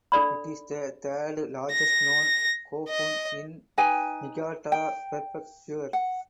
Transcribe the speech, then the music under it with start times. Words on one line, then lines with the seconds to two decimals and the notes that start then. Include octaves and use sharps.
It is the third largest known "kofun" in Niigata Prefecture.
0.12 D4 A4 D5 B5
1.72 A#6
2.89 D#5
3.78 D#4 B4 G5 G#5
4.72 G5
5.93 F#5